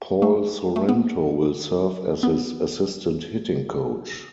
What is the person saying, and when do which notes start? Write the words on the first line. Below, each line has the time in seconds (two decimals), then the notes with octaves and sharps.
Paul Sorrento will serve as his assistant hitting coach.
0.22 A3
0.76 A3
0.89 B3
2.23 B3